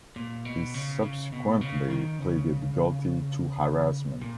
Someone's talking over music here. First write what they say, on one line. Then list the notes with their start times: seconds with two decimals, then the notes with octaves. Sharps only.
He subsequently pleaded guilty to harassment.
0.16 A#2
0.45 B2
0.74 C#3
1.03 C#3
1.32 B2
1.61 C#3
1.90 D#3
2.19 C#3
4.21 A#2